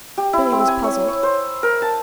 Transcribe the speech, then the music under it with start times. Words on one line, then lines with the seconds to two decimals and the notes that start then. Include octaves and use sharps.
Billy was puzzled.
0.17 G4
0.33 E4
0.52 C4
0.68 G#5
0.84 C#5
1.08 C#5
1.23 C5
1.63 A#4
1.82 A5